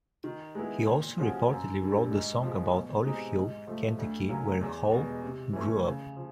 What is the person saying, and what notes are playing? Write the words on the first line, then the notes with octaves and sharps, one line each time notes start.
He also reportedly wrote the song about Olive Hill, Kentucky, where Hall grew up.
D#3
G#3 B3 E4
A#2
F3 G#3 C#4 F#4
F#2
D3 G3
G#2
F3 G#3
B2
G#3 C4 D#4 G4
G#2
F3 A3
D2
C#3 F#3 A#3 C#4
E2
B2 G#3
C3
E3 A3 C#4
C#3
F3